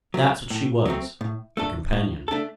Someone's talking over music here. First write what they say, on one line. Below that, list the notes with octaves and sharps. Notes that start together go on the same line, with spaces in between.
That's what she was,--a companion.
F#3 A3 C4
A2
F#3 A3 C4
A2
A3 D4 A4
A2
A3 D4 A4